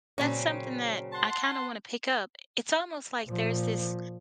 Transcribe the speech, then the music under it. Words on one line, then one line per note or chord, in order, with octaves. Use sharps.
that's something that I kinda wanna pick up. It's almost, like, there's this
A#2 C#3 F#3 C4 C#4
F#5 A5 C6
A#2 F3